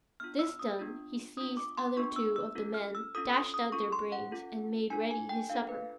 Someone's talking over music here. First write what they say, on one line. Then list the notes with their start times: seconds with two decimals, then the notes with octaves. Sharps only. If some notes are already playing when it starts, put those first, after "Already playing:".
This done, he seized other two of the men, dashed out their brains, and made ready his supper.
0.20 B3 D4 F4 F6
0.39 E6
0.59 D#6
0.79 B3 D4 F4
1.37 B3 D4 F4 D#6
1.57 D6
1.77 C6
1.97 B3 D4 F4 C#6
2.16 E6
2.36 E6
2.55 C#4 F4 A4
2.74 F6
2.95 E6
3.15 C#4 F4 A4 D#6
3.34 D#6
3.54 D#6
3.72 C#4 F4 A4 C#6
3.92 C6
4.12 F#5
4.31 C#4 F4 A4
4.90 D4 F4 A4 G#5
5.11 G#5
5.29 G5
5.49 D4 F4 A4 F5
5.69 B4